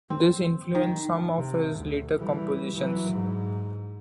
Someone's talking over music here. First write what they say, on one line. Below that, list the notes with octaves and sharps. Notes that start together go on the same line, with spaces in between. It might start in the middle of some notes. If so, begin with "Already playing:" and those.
This influenced some of his later compositions.
C4
D#3
C3
D2
E3 G3
E3 F#3
G#2